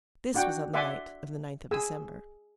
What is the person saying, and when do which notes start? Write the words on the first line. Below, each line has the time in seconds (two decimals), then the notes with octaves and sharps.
This was on the night of the ninth of December.
0.34 D4 F#4 F#5 G5
0.74 D5 E5 F#5 G#5 C6 D6
1.71 G#4 G#5 E6